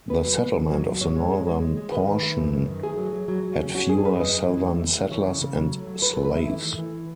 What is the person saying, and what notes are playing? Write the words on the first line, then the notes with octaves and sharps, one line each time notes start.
The settlement of the northern portion had fewer Southern settlers and slaves.
D#3 B4
F#3
B3
D#3
F#3
F#3
A2 C#5
G#3
G#3
G#3
G#3
G#3
D#3 B4
D#3
A3
F#2
F#2
D#3
A3 G#4
F#3
F#3
F#3
F#3
C#4
C#4 F#4
F#2 G#4
F#2 B4
F#2 D#5
F#2
E3
A3
A3
A3
E3 C#5
C#3
C#3
F#3
A3
F#3
F#3 B4
A3 A4
B4
D#3 E5
E3
A3
E3